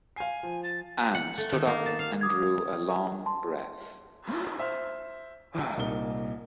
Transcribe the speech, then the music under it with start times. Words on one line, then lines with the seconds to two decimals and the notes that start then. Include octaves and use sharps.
Ann stood up and drew a long breath.
0.16 F5 G#5 C7
0.43 F3
0.63 A6
1.14 F#5
1.38 A3
1.52 D#3
1.67 A#3
1.86 A5
1.99 F5
2.21 D6 D#6 G#6
3.26 A5 C6
4.58 C5 E5 C6 F6
5.77 C2 A#2 D#4 G7